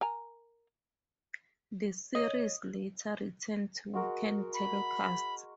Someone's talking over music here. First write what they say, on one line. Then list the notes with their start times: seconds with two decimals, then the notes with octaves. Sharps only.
The series later returned to weekend telecasts.
0.01 A#4 G#5 A#5
2.15 C#5 D#5
3.94 G#3 F#4 A#4
4.54 B5